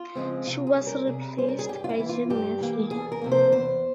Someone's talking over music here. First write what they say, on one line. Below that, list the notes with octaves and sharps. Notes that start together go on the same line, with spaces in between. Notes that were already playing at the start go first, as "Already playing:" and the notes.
She was replaced by Jim Murphy.
Already playing: F4
C#3 F3 G#3 C4
C3 F4
G#4
G3 C#4
A#4
C3 G#4
G3 C#4 C5
A#4
G#4
G2 G4
F4
E4
E3 A#3
F4
G2 G4
E3 A#3
E2 G#4
A#4
C3 F3 A#3
C5
E2 C5